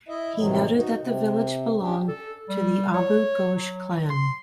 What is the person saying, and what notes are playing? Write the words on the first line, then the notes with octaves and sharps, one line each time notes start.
He noted that the village belonged to the Abu Ghosh clan.
E4 D#5 E5
A2 C3 D#3 E3 F#3
D#4 F#4
C3
C#4 D4 G4
A4
G3
C#5
F#3
C6